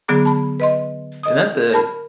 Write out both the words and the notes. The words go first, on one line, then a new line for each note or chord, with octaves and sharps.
and that's a
D3 F#3 B3 G#4 A#5 D6
A5 B5
B4 D#5 C6
D#5 D#6
A#4 A5 B5 F6